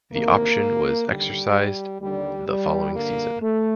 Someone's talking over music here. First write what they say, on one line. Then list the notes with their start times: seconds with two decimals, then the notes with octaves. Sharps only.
The option was exercised the following season.
0.13 D2 C3 D#3 A#3
1.07 D#2 D3 G3
2.01 D#2 D3 G3
2.47 G3
2.94 G2 D3 A#3
3.42 A3